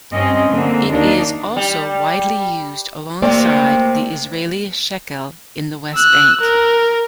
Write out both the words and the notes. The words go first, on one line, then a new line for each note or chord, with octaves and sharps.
It is also widely used alongside the Israeli shekel in the West Bank.
G2 C4 C#4 D#5
D3 A#3 C4
D#2 A#3 D4 D#4
G3
C3 A3 A#3 C4 D5
E6 F#6
A#4